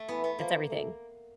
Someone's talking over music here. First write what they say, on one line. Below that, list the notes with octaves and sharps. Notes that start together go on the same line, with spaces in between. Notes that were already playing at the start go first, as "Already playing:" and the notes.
it's everything.
Already playing: A3
E3 B3
B3
F3 A#3
A3